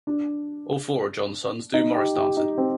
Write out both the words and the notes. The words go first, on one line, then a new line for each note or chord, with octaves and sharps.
All four of John's sons do morris dancing.
D4
D#4
G4
G4
D#4
C4